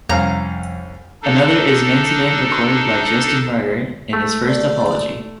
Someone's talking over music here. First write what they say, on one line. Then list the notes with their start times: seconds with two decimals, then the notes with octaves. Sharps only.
Another is an incident recorded by Justin Martyr in his "First Apology".
0.09 C2 F2 C#4 F5 A#5
1.22 D4 D#4 A4
4.13 A3
4.47 D5